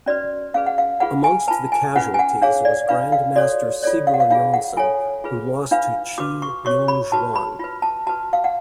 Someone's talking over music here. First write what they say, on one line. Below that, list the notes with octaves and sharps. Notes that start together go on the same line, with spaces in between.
Amongst the casualties was Grandmaster Sigurjonsson who lost to Qi Jung Xuan.
C#4 F#4 B4 D5
C#4 G#4 B4 F5
F#5
F5
F4 G#4 B4 F#5
G#5
F4 B4 A5
G#5
C#4 F4 B4 F#5
G#5
F#5
D4 G#4 C#5 F5
D5
D4 F4 B4 F5
F5
F#4 A4 C#5 D5
F4 A4 C#5 D5
F5
F#5
F5
D4 F4 G#4 F5
F#5
F4 A4 C#5 G#5
F4 G#4 B4
D4 F4 B4 F5
F#4 B4 D6
C#6
F#4 C#5 C#6
B5
F#4 B4 A5
B5
F4 B4
A5
F#4 B4 A5
F5
F#5